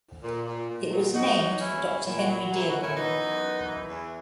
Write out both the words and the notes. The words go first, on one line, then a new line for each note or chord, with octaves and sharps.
It was named for Doctor Henry Dearborn.
A#2
A#2
A#2
F#3
E2 D#4 F#4
F#3
D#4
E2 C#4 E4
E2
A#2 E4
F#4
F#3 E4
F#4
A#2
E4
F#4
A#2
C#4 E4
E3 B3 D#4
F#2
F#2
E3
E2